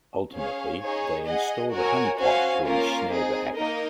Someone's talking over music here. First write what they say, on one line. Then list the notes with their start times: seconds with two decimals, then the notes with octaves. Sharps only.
Ultimately, they installed a honeypot to ensnare the hacker.
0.34 C#4 G#4 C#5 F5
0.80 D#4 G#4 C#5
1.25 G#4 D#5 F#5
1.71 F#4 A#4 C#5 G#5
2.18 C#4 F#4 C5 F5 G#5
2.64 A#3 C#4 F4 A#4 F5
3.10 C4 D#4 G#4
3.55 A#3 D#4 A#4 D#5